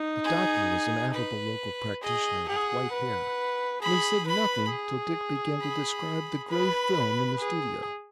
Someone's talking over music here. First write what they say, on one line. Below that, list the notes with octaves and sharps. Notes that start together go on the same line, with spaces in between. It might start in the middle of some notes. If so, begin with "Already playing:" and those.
The doctor was an affable local practitioner with white hair, and he said nothing till Dick began to describe the gray film in the studio.
Already playing: D#4
G#4
B4
G#4 D#5
G#4 F#5
B4
G#4 B5
B4 B5
G#4
B5
B4 B5
G#4